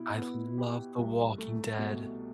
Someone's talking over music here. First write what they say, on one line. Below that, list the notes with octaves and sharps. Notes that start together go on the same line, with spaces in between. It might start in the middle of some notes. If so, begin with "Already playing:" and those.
I love The Walking Dead.
Already playing: B2 E4
B3
G4
C2
A3
B2